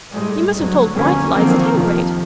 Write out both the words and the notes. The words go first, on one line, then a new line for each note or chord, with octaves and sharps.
You must have told white lies, at any rate.
A2 G3 G#3
D2 F#3
F1 D2 B2 D3 A#3 C#4
D3 D#3 F3 F#3 A#3 C4
F2 C3 D#3 F3